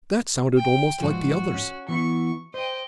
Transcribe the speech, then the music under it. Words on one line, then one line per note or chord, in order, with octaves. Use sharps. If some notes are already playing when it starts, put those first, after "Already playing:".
That sounded almost like the others.
G5
G#2 F3 F#4
C#4
E3 B3 E4 C#6
C5 D#5 G5